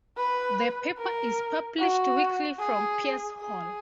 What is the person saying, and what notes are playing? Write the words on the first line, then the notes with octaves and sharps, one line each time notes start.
The paper is published weekly from Peirce Hall.
B4
A#4
F#4
G#4
G#4